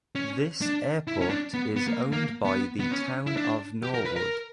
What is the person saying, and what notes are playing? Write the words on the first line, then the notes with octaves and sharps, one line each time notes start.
This airport is owned by the Town of Norwood.
C#4
D4
E4
C#4
D4
B3
B3
A#3
A#3
B3
B3
C#4
E4
D4
G4
A#4
B4
A#4